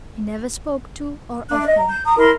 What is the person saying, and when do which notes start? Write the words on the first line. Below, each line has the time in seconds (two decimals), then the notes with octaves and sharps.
He never spoke to or of him.
1.50 D4 E5 F#6
1.66 D#5 E5
1.78 A#5
1.90 G6
2.05 A#5 D#6
2.17 E4 A#4 C6